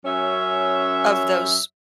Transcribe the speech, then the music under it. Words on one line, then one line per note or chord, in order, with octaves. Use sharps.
of those
F#2 F#3 C#4 C#5 E5